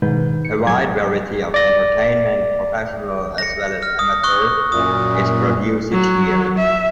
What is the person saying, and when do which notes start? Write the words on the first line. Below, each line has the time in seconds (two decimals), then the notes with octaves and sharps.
A wide variety of entertainment, professional as well as amateur, is produced each year.
0.02 G#2 B2 D#3 B4 G6
0.45 C#7
0.67 F#3 G#6
1.54 D5 A#6
3.38 A#6 C#7
3.83 F6
3.99 D#6
4.23 C#6 D#6 F#6
4.72 F#2 A#2 D#6
5.92 F#3
6.59 E5